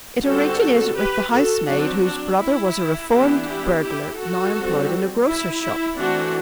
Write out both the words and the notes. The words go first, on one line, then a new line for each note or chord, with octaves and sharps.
It originated with the housemaid whose brother was a reformed burglar now employed in a grocer's shop.
D3 G3 C4 F#4 A4
G4 B4
F#4 A4
F#3 C4 D4 F#4
D4
E4
E3 B3 D4 E4 G4
E4 G4
E4 G4
F#4 A4
G3 C4
E4
E4
E3 A3 C4 D4 F#4